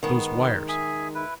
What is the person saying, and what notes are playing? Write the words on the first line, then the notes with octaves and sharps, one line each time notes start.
Those wires!
D#3 G#3 B3
G#4 E5 G#5
E4 B4